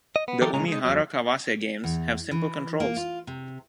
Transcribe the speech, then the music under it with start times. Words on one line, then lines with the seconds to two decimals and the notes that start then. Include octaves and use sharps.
The Umihara Kawase games have simple controls.
0.16 D#5
0.28 B3
0.41 D3 E3 F#3 G4 A4 A#4
0.54 C#2 A#2 C#3 G#3 C#4 A#5
0.68 G#3 D#4
0.85 E2 F#3
1.84 E2
2.31 E3
2.80 A#3
2.96 F4
3.27 C3